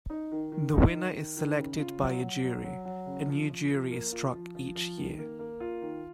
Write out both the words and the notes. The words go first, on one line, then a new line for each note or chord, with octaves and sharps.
The winner is selected by a jury; a new jury is struck each year.
D#4
D#3
D#3
D#4
D#3
D#3
D#3
C#3
F4
F#3
F#3
F#3
F#3
F#3
C#3
F3
F3
F3
A#3
F4
F3
F3
F3
D#3
A#3
A#3
F4
D#3